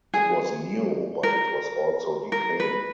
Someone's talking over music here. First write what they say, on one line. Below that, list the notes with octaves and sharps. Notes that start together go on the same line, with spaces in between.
It was new, but it was also decaying.
G#4
A#4
A#4
B4